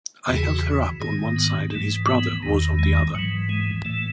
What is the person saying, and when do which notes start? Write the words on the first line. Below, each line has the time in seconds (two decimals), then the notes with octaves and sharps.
I held her up on one side and his brother was on the other.
0.29 E2 C#3 E3 F#4
0.36 G#4
0.44 F#4
1.00 G#2 D#3 G#4
1.36 B3
1.71 G#2 E3 A3
2.07 B3
2.43 E2 D#3
2.79 G#3
3.14 G#2 E3 F#3
3.49 G#3
3.85 A2 E3 A3